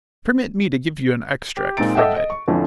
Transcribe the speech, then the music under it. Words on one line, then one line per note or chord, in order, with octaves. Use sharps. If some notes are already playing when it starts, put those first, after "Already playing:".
Permit me to give you an extract from it.
G4
A#2 G#3 C4 D#4 A6 D7
A4 D#5 E5 F#5 G5
D#5
C#6
A1 F2 D3 E3 F3